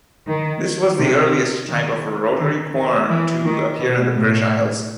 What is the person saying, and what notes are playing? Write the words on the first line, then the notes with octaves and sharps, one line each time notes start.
This was the earliest type of rotary quern to appear in the British Isles.
D#3
C3
D#3
D#3
D#3
E3
D#3
B2
A2